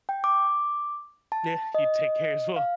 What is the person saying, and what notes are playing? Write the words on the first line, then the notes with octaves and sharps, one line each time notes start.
Yeah, you take care as well.
G5
D6
A5
D#5
F5